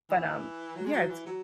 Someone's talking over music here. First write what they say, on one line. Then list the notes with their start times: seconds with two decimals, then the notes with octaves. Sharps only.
but, um Yeah, it's
0.09 E3
0.76 F#3
0.85 G#3
0.93 F#3
1.09 E3
1.26 F#3